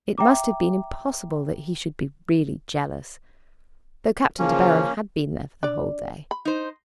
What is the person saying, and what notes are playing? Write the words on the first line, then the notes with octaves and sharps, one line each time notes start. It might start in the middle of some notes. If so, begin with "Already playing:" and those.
It must have been impossible that he should be really jealous, though Captain De Baron had been there the whole day.
E5 G5 A#5 D6
C#3 F3 A#3 C#4
D4 D5
B5
D#4 C5